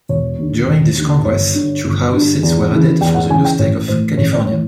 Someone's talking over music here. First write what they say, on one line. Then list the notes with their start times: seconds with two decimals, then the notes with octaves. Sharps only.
During this Congress, two House seats were added for the new state of California.
0.09 E1 C#5
0.38 D#2 D3
0.67 E1
0.96 D#2 D3
1.25 G1 C#5
1.54 G2 D3
1.84 G1
2.13 G2 D3
2.43 E2
2.71 C#3 E3
3.01 E2 G5
3.15 F#5
3.29 C#3 E3 G#5
3.45 G5
3.59 A1 C#5
3.88 A2 E3 C5
4.17 A1 C#5
4.32 D5
4.46 A2 E3 C#5